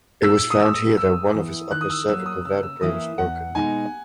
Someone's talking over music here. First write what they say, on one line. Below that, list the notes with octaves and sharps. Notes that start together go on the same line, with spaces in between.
It was found here that one of his upper cervical vertebrae was broken.
A#2 E6
D#6
G#3 B3 E6
F#2 E6
E3 B3
D#3 F#6
D#6
E6
F#3 A#3 E6
D#6
C#3 E6
E6
E3 A#3 E4 D#6
E2 F#5
B2 G#3 D#4 G#5